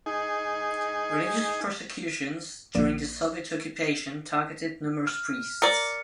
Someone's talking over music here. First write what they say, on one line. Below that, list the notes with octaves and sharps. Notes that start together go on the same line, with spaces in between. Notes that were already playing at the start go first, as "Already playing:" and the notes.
Religious persecutions during the Soviet occupation targeted numerous priests.
D#4 G#4
A#1 A#3 D5
F6
A#4 D5 C#7